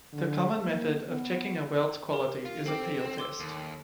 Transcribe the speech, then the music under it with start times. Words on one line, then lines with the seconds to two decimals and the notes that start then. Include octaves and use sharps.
The common method of checking a weld's quality is a peel test.
0.13 D3
0.65 A#3
1.09 B3
2.13 G4 A#4
2.45 F4
2.66 C4 A4 G5 D6
3.00 E7
3.18 C6 D6 E6
3.40 D#2